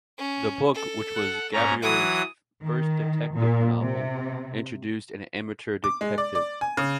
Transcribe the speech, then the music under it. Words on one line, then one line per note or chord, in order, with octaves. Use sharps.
The book, which was Gaboriau's first detective novel, introduced an amateur detective.
C#4
A4
F#5
G#2 C#4 A#5
E3 F#3 D#6
D#3
A#2
C3
D6
G#3
D5
D5
G#5
C#3